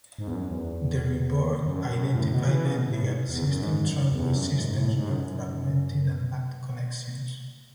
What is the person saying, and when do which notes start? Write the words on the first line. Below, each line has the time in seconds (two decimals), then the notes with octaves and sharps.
The Report identified that the existing tramway systems were fragmented and lacked connections.
0.18 G#2
0.27 E2
0.34 F#2
0.51 E2
1.66 F#2
1.91 F#2
2.15 A2
2.31 B2
2.47 E3
2.65 C#3
2.76 B2
2.89 A2
3.02 G#2
3.29 E2
3.46 F#2
3.62 G#2
3.87 F#2
4.12 E2
4.36 F#2
4.61 G#2
4.77 A2
4.94 G#2
5.10 F#2